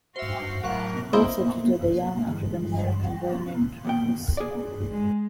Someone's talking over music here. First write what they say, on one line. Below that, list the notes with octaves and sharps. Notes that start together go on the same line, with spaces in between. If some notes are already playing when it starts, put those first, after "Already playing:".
He also tutored a young African American boy named Rufus.
F#4 C5 E5 F5
A2 F#3 A#4 F#5
A#3 E4 C5 D#5
G2 D3 E3 G#3
D#2 B2 G5
G#4 D5
G#3